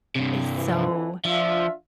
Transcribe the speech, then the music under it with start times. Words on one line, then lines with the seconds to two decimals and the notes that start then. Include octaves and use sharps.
is so
0.15 G2 C3
0.56 F2 D3 E3
1.25 F3 D4 F4 E5